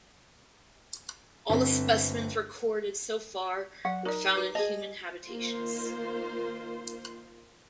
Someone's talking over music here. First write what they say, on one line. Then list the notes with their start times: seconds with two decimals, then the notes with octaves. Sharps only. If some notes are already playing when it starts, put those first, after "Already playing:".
All the specimens recorded so far were found in human habitations.
1.49 G1 C4
3.85 F#3 F#5
4.05 D#4 A#4 D5
4.35 F#4 B4
4.55 G#4 D#5 A5
5.25 D#3 A#3 F4 C5 C6